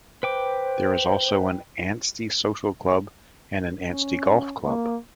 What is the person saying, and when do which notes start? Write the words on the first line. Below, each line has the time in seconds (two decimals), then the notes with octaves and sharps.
There is also an Ansty Social Club and an Ansty Golf Club.
0.23 B4 C5 G5 D6
3.91 C#4
4.66 A#3